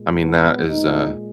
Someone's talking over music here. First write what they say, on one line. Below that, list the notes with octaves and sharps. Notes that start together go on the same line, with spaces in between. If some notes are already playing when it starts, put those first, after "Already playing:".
I mean that is a
Already playing: A#2 G#3
B3
A#2 G#3 B3 D#4